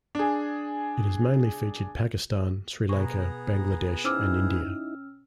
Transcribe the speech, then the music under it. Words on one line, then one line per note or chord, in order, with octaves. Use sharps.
It has mainly featured Pakistan, Sri Lanka, Bangladesh, and India.
D4 G#4
B2 B3 G#4 A#5 C#6
C#4 D#4 E4 C5 D6 E6 F6